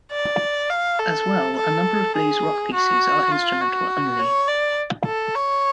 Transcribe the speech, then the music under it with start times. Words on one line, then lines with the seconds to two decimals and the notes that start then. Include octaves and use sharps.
As well, a number of blues rock pieces are instrumental-only.
0.12 D5
0.69 F5
0.99 A4
1.57 A4
2.15 G#4
2.73 F#4
3.31 F4
3.61 F#4
4.19 C#5
4.48 D5
5.06 A4
5.35 C#5